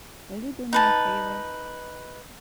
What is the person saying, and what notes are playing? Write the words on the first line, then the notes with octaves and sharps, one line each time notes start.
Will you do me a favour?
D#4 B4 A5